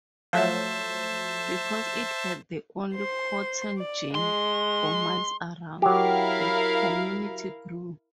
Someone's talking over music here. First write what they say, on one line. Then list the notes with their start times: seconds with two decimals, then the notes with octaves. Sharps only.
Because it had the only cotton gin for miles around, the community grew.
0.33 F3 F#3 A3 C5 E5 A5
2.94 C5 C6
3.78 D5
4.15 G#3 C6
5.82 F#3 E4 G4 A#4 F5